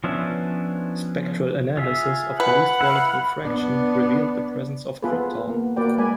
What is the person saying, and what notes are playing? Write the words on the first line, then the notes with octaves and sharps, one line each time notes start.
Spectral analysis of the least volatile fraction revealed the presence of krypton.
F3 B3 C#4 D4 E5
F4 G#4 E5
B4 F#5
E4 F5 B5
B3 D4
B3 F4 G#4 A4 B4
A#3 B3
A#3 F#4 B4 D5 G5
G#3 A#3 D5 G#5 B5